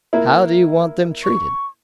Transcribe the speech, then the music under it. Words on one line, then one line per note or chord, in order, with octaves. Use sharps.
'How do you want them treated?'
A#3 E4
C#6